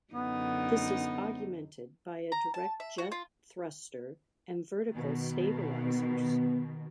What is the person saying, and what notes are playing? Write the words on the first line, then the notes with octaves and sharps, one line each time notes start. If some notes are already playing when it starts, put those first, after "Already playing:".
This is augmented by a direct jet thruster and vertical stabilisers.
F#2 D3 B3 D#4
A#5
A5
E5
F#4
F4
B2 D#3
B3